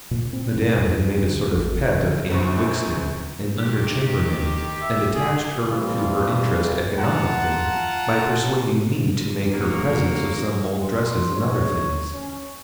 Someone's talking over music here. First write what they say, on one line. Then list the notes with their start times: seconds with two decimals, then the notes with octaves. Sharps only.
Madame had made a sort of pet of Anne Wixted, an underchambermaid, and attached her to her interest economically by persuading me to make her presents of some old dresses and other things.
0.11 A#2
0.33 C4
0.56 B2
0.78 F2
1.04 G2
1.21 D2
1.55 A1
1.95 D3
2.30 A#1 F#2 C4 C#6 F#6
3.57 D#3 G4
4.82 E5
5.14 G#4
5.70 C3 E3 G3 F4
6.98 F4 F#5 A5 A#5
9.52 F1 A#3 F#4 C#5
10.83 C6
11.35 C#5
12.14 C#4